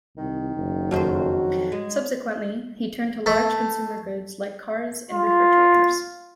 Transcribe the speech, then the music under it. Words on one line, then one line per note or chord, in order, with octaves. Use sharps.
Subsequently, he turned to large consumer goods like cars and refrigerators.
C2 D#3
F#1
F2 D#3 F#3 C5
G#3
A3
F4